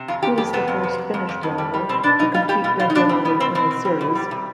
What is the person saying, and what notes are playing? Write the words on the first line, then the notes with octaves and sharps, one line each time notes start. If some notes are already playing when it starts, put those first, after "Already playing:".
He was the first Finnish driver to compete regularly in the series.
Already playing: C3
F2 F4
F2 G4
F2 G4
C3 B3
F2
C3
F2
F2
F2
F2
G3
G3
B2 C4
B2 D4
B2 D#4
G3 F4
G3 G4
B2 F4
B2 F4
D#4
B2 D4
G3 C4
B2 B3
B2 C4
B2 C4
B2
G3
B2
G3
C3